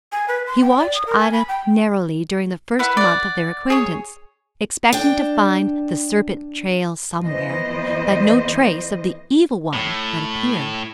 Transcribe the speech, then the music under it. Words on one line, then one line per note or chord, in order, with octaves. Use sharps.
He watched Ida narrowly during the first month of their acquaintance, expecting to find the serpent-trail somewhere; but no trace of the evil one had appeared.
G#5
B4
C6
G5
D5
D#6
A#4
G#5
B5
G5
E4 B4 F#5
D5 F#5
G#4 C#5
D4 G5
F2 E3 B3 C5 D#5
A2